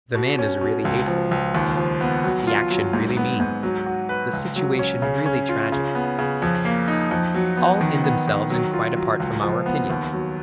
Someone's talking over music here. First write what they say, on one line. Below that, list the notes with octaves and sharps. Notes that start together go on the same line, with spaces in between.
The man is really hateful; the action really mean; the situation really tragic--all in themselves and quite apart from our opinion.
B2
C#4
B2
C#2
F3
C#2
D#2
F3
B3
F#3
F4
F#3
G#2
B3
G#2
F#3
F#4
B4
C#2
F#3
C#4
C#3
C#4
F4
C#3
B3
C#3
F2
A#3
D#4
F2
F#3
B3
D#3
B3
D#3
F#3
F4
F#3
C#2
F3
B3
D#2
F#3